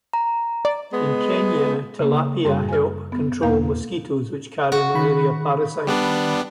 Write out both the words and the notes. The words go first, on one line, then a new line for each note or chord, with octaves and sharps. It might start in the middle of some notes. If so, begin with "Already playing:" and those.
In Kenya, tilapia help control mosquitoes which carry malaria parasites.
A#5
D5
G#3 B3
C#3 A#3
F#2 G3 G#4 C6
G#5 F6
B3
E2 B2 A#3 F5
F#4
D#3 B5
G3 B3 D4